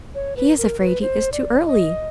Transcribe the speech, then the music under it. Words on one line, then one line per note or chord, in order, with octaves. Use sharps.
"He is afraid he is too early!"
C#5
B4
A#4
B4
C5
D5
D#5